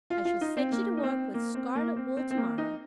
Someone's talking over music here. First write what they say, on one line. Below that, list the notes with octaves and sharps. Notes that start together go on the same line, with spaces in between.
I shall set you to work with scarlet wool to-morrow.
F4
F4
D#4
C4
A#3
D#4
C4
A#3
C4
A#3
C4
C4
C4
A#3
D#4